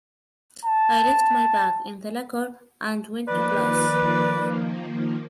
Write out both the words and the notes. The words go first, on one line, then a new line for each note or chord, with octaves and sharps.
I left my bag in the locker and went to class.
A5
D#3 F3 A#3 B4 D5